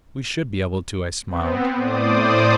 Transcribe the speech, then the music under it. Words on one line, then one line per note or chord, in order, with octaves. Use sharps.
"We should be able to," I smiled.
B3 C4
A2 C5 D5 D6 D#6